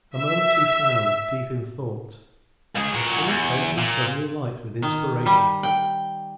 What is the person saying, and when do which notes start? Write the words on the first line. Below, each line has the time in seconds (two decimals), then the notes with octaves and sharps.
A moment he frowned, deep in thought; then his face was suddenly alight with inspiration.
0.16 E5
2.75 C#2 G#4
2.95 A#2 F#4
3.28 E2
3.78 A#2
4.82 D#3
5.26 G3
5.63 G5